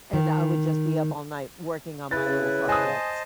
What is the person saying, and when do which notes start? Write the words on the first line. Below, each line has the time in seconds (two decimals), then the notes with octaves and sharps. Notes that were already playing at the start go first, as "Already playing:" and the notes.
And I would just be up all night working on my little projects.
0.13 D#3
2.11 C#3 E4 B4 A6
2.68 C5 D#5 G#5 A5 D#6